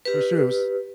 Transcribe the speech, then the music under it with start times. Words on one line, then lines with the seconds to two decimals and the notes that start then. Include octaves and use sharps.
For sure, it was
0.05 G4 B4